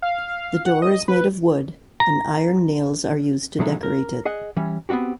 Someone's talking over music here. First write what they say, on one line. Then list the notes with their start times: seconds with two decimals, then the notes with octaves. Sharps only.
The door is made of wood and iron nails are used to decorate it.
0.02 F5
0.66 F#5
0.82 D#5
1.08 B4
2.00 A#5
3.59 B2 F3 F#3 G#3 A3 D#4
3.83 A#4
4.25 G#4 D#5 F#5
4.56 E3 G3 C#4
4.89 B3 C4 D4 F#4 G4